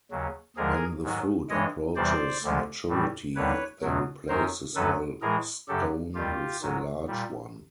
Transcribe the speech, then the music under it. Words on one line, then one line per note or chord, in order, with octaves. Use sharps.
When the fruit approaches maturity, they replace the small stone with the large one.
D#2 C#3 F#3
D#2 D3 F3 G#3 G#4 A#4
G#2 D#3 F#3
G2 E3 G#3 C#5 D#5
E2 C3 E3 G3 C5 D5
D2 D3 F3 G#3
A2 E3 G3
D#2 D3 G3 B4 C#5
E2 B2 F#3
F#2 D#3 F#3 A#4 C5
F#2 D#3 F#3 A4 B4
A2 E3 G#3 G#4 A#4
F#2 C#3 F#3 G4 A4
D#2 D#3 G3 F4 G4
G#2 D#3 F#3
A#2 G3